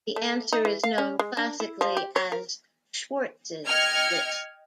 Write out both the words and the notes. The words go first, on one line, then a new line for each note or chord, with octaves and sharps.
The answer is known classically as Schwarz's list.
A3
D#4
E3
F5
C#4
G#3
D4
E4
F3
G4
C#5
A#4
D#5 G5 F6 G#6 C#7